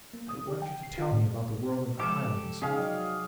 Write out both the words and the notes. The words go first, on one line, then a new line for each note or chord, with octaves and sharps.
I want you to tell me about the world of the Highlands.
A#3
D#6
G4
G5
C7
F4
A2
C3 F3 G#3 G4 A4 D6
C#3 D#4 G#4 F5 G5 D#6
F#3 D5 D#5 G5